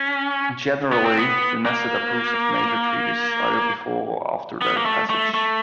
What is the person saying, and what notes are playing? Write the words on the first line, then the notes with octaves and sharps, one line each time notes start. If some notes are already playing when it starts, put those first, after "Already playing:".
Generally, the Knesset approves of major treaties either before or after their passage.
Already playing: C#4
B3
C4
B3
A#3
B3
A#3
A3
A3
A3